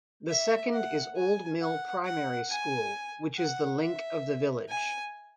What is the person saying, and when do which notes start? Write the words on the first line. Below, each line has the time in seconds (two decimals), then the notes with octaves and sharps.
The second is Old Mill Primary School which is the link of the village.
0.29 E5
0.73 F#5
1.17 G#5
1.61 F#5
2.05 F#5
2.49 G#5
3.37 F#5
3.80 E5
4.69 G#5